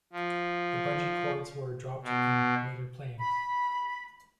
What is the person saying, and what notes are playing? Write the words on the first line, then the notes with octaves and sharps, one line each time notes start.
The bungee cords were dropped in later playings.
F3
B2
B5